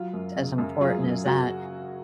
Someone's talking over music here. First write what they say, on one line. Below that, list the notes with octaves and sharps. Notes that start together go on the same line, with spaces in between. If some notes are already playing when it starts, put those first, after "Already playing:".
as important as that.
Already playing: F#3 F4
F#2
C#3
F#2
F#3 F4 G#4
F#2
F#2 F#4